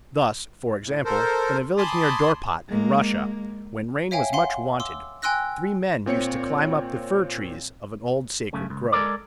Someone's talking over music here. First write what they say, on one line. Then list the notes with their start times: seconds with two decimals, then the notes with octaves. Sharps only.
Thus, for example, in a village near Dorpat, in Russia, when rain was much wanted, three men used to climb up the fir-trees of an old sacred grove.
0.83 A2
1.05 A4 A#4 C5
1.77 G#5 A5 B5 C6 D6 D#6
2.68 G#3 A#3
4.11 C#5 E5 F5 G5 G#5
4.33 F5 F#5 G#5 C6
4.80 C6 D6 E6
5.22 G5 G#5 C6 E6 F#6 A#6
6.06 A#2 C4 C#5 C#7
8.53 F#2 C#3 A3
8.70 C#2
8.92 G#3 A4 A#4 D5